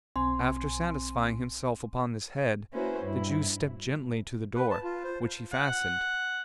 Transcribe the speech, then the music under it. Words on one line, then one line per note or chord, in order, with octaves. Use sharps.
After satisfying himself upon this head, the Jew stepped gently to the door: which he fastened.
B1 C4 G#5 C6
A#3 C#4 E4 F#4 B4 C5
G2 E4
B4
A5
F4
C5
F#5